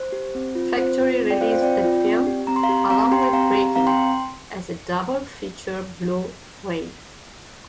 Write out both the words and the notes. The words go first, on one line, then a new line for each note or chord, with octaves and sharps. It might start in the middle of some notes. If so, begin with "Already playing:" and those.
Factory released the film, along with "Breakin"', as a double feature Blu-ray.
Already playing: C5
G4
C4
F4
C4 C5
F4
C4
D5 G5
F4 C5 F5
C5 F5
C4 D5 G5
F4
C4
G4
C4 A#5
C6
F5 A#5
G4
C4 F5 A#5
G4 G5 C6
G5 C6
C4 F5 A#5
G4
C4 F5 A#5
G5 C6